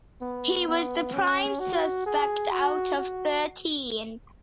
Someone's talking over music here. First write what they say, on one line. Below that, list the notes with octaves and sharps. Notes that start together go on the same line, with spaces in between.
He was the prime suspect out of thirteen.
B3
B3
C#4
F#4
G#4
F#4
F#4